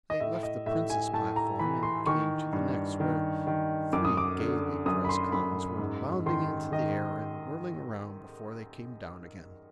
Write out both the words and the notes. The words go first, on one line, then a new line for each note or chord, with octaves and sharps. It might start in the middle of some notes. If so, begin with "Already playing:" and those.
They left the Prince's platform and came to the next, where three gaily dressed Clowns were bounding into the air and whirling around before they came down again.
D#5
A2 E5
D#5
A2 E5
G#5
A2 A5
A#5
E3 B5
C6
D#3 C#6
G2
D#3
D#3
F#2 D6
D#6
D6
D3
F#2 D#6
B5
C6
F#2 B5
G#2
D#3 C6
D#3 D#5